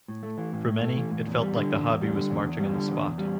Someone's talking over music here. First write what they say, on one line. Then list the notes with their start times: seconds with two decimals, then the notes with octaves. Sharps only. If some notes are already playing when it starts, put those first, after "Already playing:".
For many it felt like the hobby was marching on the spot.
0.08 A2
0.23 A3
0.38 E3
0.53 A2
0.67 A2
0.83 A3
0.97 E3
1.11 A2
1.27 E2
1.41 G3
1.56 D3
1.70 E2
1.85 E2
2.01 G3
2.14 D3
2.30 E2
2.44 E2
2.59 G3
2.74 D3
2.88 E2
3.03 E2
3.18 G3